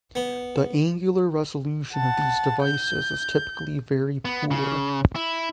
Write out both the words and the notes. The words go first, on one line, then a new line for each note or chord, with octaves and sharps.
The angular resolution of these devices is typically very poor.
B3
F#5 A5
G6
B3
C#3
E4